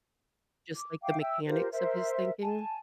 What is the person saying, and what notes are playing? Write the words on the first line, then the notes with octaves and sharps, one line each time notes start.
just like the mechanics of his thinking
D6
E5 F5 G5 D6
E5 G5 E6
F4 G4 A#4 C5
A#4 C5 E5
G#5 A5